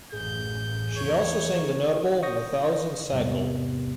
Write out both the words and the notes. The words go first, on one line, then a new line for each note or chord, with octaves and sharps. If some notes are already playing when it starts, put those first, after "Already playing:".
She also sang the notable 'Mauthausen Cycle'.
A1 F#2 G#4 G6
E2 E3 A#3 C#5
C#6 D#6 G6 A#6
E2 G#2 C3 G3 B3